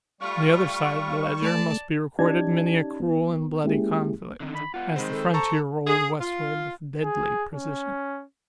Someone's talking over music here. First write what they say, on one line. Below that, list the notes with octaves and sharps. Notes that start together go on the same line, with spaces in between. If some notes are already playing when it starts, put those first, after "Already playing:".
On the other side of the ledger must be recorded many a cruel and bloody conflict as the frontier rolled westward with deadly precision.
G3 A3 F4 F5 C#6
A3 D5 A5
C#4 D#4 G4 D5 A5 G#6
B3
G#3 A#3 C#4 E4 G4 G#4
D3 D#3 C4
B5
B3 F4 F#5
D#3 G#3 C4 C5 B5
A4
A4 A5 A#5 C#6
G#4
F4
G#4
C#4